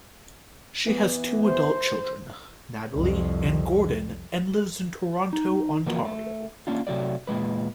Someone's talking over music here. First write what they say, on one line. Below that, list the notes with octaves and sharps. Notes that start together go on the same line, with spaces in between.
She has two adult children, Natalie and Gordon and lives in Toronto, Ontario.
E3 B3
C5
C2 F2
D#4
E3 F3 A#3 F#4 A#4 B4
A3
A#3 C#4 D4 F4
C3 F#3 A3 D5
E2 A#2 G3 G#3 B4